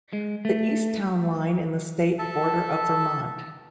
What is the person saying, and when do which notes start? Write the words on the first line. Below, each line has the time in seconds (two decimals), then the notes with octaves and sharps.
The east town line in the state border of Vermont.
0.13 G#3
0.45 A3
2.19 A4 E5 A5